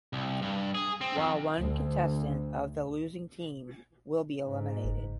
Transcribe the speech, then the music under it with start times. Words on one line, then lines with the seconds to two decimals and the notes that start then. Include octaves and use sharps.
While one contestant of the losing team will be eliminated.
0.13 C2
0.42 G2
0.75 G#4
1.01 C4
1.16 F2
1.58 D2
4.45 G#2
4.84 F#1